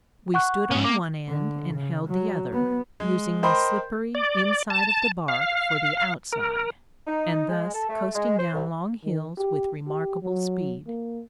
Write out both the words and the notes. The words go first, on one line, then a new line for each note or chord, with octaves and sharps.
We stood on one end and held the other, using the slippery inside of the bark for the outside, and thus coasting down long hills with remarkable speed.
F#5 C#6 F#6
G#2 C#4
A#3 D6
D3
C#3
F#3
B3
G#3
A#4 C5 D#5 G5 B5 C6
D5
A5
F5
A#4
D#4
G#3
A4
A3
G#3
C5
C2
D#3
G4
G4
F#3
A#3